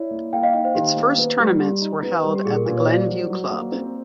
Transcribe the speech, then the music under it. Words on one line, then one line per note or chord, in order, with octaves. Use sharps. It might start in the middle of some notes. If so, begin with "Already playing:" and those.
Its first tournaments were held at the Glen View Club.
Already playing: E4 C#5 D5
A#3
A#3 F5 G5
D#5 F5
D#4 D#5 F5
C5
D#3 G4
A#3
B3
G3
G3 G4
D#4
B3
G3
G4
A#2 G#4
A#4
A#2 B4
C#5
G4 C5 D5
F#3
F#3
A#3
C4